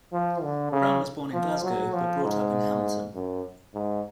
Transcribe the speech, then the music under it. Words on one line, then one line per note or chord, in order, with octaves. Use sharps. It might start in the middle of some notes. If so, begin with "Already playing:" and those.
Brown was born in Glasgow, but brought up in Hamilton.
F3
D3
C#3
F3
F#3
F3
G#2
F#2
G#2